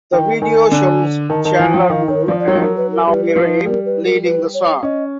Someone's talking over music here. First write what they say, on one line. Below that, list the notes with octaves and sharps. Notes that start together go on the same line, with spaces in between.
The video shows Chandler Moore and Naomi Raine leading the song.
D#3 G5
D#3 G#5
D3
D#3 A5
D#3 A5
E3 G#5
F3 G5
D#3 F5
D#3 C#5
F3 D5
D5
F#3 C#5
F3
F#3 A#4
B4
A#4
G3 B4
B4
F3
B4
G3 A#4
B4
A#4
B4
C#5
C#4 D#5